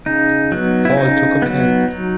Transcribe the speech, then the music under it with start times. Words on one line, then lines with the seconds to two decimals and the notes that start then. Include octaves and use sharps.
Paul took a pen.
0.06 C#3 D#4
0.52 F#3 B3
0.85 E4
0.97 C#3 D#4
1.42 F#3 B3
1.88 F#3